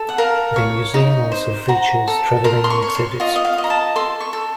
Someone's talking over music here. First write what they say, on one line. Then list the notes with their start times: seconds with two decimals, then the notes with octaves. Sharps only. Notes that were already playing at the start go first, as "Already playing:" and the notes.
The museum also features traveling exhibits.
Already playing: A4
0.09 F#5
0.18 A#4 F5
0.56 C#5
0.94 D#4
1.32 C5
1.68 F#4 A#5
2.07 A4
2.44 A#4 C6
2.64 C6
2.70 C#6
2.82 C#5
2.95 C6
3.20 F4 D#5
3.36 D#5
3.45 F5
3.58 D#5
3.64 A#5
3.70 A5
3.96 A4 C6
4.20 C#6
4.33 A4